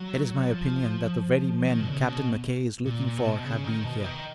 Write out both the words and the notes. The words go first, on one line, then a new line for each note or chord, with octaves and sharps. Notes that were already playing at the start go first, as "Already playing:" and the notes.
It is my opinion that the very men Captain McKay is looking for have been here.
Already playing: F#3
F3
D#3
B2
C#3
B2
A#2
A#2
B2
C#3
D#3
B2
D#3